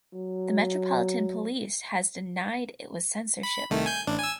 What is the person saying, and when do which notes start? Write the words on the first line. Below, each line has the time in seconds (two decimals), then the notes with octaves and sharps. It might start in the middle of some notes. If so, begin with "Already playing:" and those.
The Metropolitan Police has since denied it was censorship.
0.14 F#3
3.43 B5
3.70 C2 D#3 A3
3.86 G#5 G6
4.07 A1 D4
4.19 G#5 E6